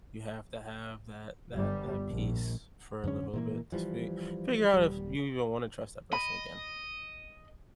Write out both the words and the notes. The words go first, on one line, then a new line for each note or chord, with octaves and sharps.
you have to have that that that peace for a little bit to speak figure out if you even want to trust that person again.
G1 G3
A#1
F#2 D3 C4 C#4
A#2 E3 A#3
E3 F3 G3
D#1 G3
D#5 B5